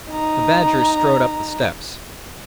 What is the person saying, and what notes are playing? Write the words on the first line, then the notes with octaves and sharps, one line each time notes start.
The Badger strode up the steps.
D#4 A#5